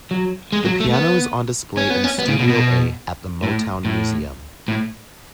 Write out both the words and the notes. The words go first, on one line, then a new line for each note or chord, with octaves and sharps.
The piano is on display in Studio A at the Motown Museum.
F#3
G#3
F#3
A3
B3
C#4
B3
C#4
B3
C#3
B2
B2
A2
A2
A2